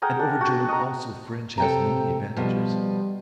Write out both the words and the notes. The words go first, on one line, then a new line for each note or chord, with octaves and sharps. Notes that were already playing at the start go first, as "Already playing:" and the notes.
And over German also French has many advantages.
G#4 A#4 F#5 G5
D4
F#4
D#5 A#5
C3 A4 G5 A#5
B2 F3 G3